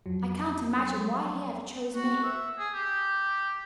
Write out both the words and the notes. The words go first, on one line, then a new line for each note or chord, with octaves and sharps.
I can't imagine why he ever chose me.
F2 F3 F#3
F#4
E5
G#4
G4